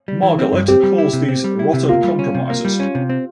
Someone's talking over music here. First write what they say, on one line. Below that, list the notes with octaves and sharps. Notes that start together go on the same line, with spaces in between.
Margalit calls these rotten compromises.
G3
E3
C4
G2
C4 G4
G3
E4
C3
C4
G3
E4
C3
A#3 F4
G3
C#4
C3
A#3
G3
C#4
C3
C4